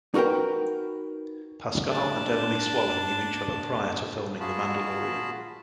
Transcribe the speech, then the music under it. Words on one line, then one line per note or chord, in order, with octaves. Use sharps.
Pascal and Emily Swallow knew each other prior to filming "The Mandalorian".
D#4 F#4 A#4 B4 G5
D4 A5
F4 F#4 G#4 A5 B5